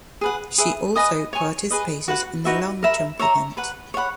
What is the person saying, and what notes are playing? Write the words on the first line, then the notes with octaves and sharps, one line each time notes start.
She also participated in the Long jump event.
G#4 B4 F#5
G#4 B4 E5
B4 D#5 G#5 D#6
C#5 G#5 C#6
G#4 B4 D#5
F#4 B4 F#5
D#4 F#4 B4 E5
A#4 E5 B5
C#5 E5 A#5
B4 F#5 B5
C#5 F#5 B5